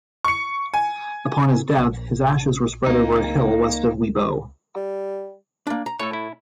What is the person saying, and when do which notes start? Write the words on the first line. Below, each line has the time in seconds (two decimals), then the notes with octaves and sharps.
Upon his death, his ashes were spread over a hill west of Wibaux.
0.24 C#6 C#7
0.74 G#5
1.78 A#1
2.86 C#2 A#3 C4 D#4
4.76 G3
5.67 A#3 D4
5.86 A#5
5.99 A2 A4 C#5
6.13 E4